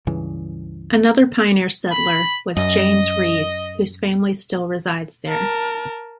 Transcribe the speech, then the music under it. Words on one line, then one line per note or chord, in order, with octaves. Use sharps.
Another pioneer settler was James Reaves, whose family still resides there.
C#2 G2 C#3 E3
B5
F#2 D#5
A#4 A5